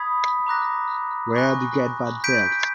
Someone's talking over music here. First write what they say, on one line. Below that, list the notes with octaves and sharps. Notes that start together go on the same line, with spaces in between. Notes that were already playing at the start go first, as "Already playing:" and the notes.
Where'd you get that belt?
Already playing: B5 D#6 G#6 B6
A#5 D6 F#6 A#6
G#5 C#6 F#6 A#6
G6 B6 D7